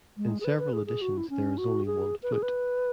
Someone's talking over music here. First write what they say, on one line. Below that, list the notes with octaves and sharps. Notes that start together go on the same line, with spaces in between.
In several editions there is only one flute.
G#3
G#4
B4
B4
G#4
G#4
F#4
E4
C#4
F#4
G#4
B4
G#4
B4